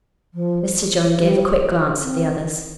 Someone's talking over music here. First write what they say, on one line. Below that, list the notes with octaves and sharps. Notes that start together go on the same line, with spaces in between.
Mr. John gave a quick glance at the others.
F3
G3
C4